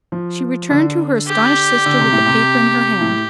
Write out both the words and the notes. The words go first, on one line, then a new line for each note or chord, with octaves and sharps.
She returned to her astonished sister with the paper in her hand.
F3
D3
G4
D3
C3
A2
C3
A2